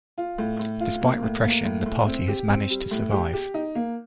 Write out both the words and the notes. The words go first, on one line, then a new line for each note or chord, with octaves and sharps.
Despite repression, the party has managed to survive.
F4
A2
A2
F4
A#3
A2
A#3
A2
A2
C4
G4
C4
G3
A2
G4
G4
D#4
A#3